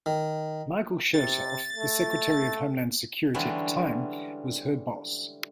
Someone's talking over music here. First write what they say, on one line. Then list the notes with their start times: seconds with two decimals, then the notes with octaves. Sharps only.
Michael Chertoff, the Secretary of Homeland Security at the time, was her boss.
0.06 D#3
1.14 C3 A6
1.76 A3
3.34 D3 E3 G3 G#3 C#4